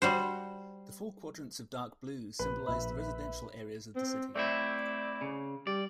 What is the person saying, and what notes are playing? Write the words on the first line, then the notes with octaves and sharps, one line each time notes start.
The four quadrants of dark blue symbolize the residential areas of the city.
G3 F#4 C5
A#1 B4
A#1 E5 B5
C4
A3 C4 E4 D5
C#3
G3 D5